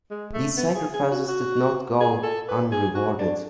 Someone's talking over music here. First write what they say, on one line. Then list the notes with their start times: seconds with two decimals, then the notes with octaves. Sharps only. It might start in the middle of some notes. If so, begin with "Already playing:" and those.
These sacrifices did not go unrewarded.
0.10 G#3
0.33 A3
0.57 B3
0.75 G#4
0.93 G#4
1.11 F#4
1.28 F#4
2.00 G#4
2.23 A4
2.48 B4
2.71 G#4
2.95 F#4
3.19 D4